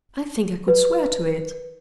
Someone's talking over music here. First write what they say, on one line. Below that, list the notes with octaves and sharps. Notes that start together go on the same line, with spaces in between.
"I think I could swear to it."
B4